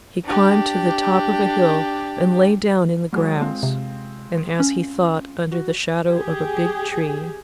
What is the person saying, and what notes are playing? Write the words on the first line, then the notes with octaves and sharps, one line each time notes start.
He climbed to the top of a hill and lay down in the grass, and as he thought under the shadow of a big tree.
D4 G4
F#3 G#3
G#3 C4 F4
C3
C#4
F#4
G4 G#4